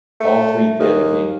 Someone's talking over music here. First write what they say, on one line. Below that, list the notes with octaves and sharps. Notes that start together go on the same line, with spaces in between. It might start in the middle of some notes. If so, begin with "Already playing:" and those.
All three failed the king.
A3
D#2